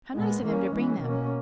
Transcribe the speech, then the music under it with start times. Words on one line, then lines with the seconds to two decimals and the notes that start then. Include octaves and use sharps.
How nice of him to bring them!
0.16 A#2 G#3 B3
0.44 E3 A#3 C#4
0.72 E3 G#3 C#4
1.01 B2 A#3 C#4